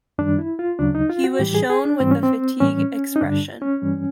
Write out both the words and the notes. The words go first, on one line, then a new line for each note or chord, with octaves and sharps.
He was shown with a fatigued expression.
F#2 D#3 G3 D4
E4
F4
D2 C#3 F#3 D4
D#4
F4
F#4
A2 E3 G3 G4
G#4
G#4
D4
G#2 E3 G3 C4
C#4
C4
A2 E3 G3 C#4
D#4
G2 D3 G3 D4
C#4
G2 E3 G3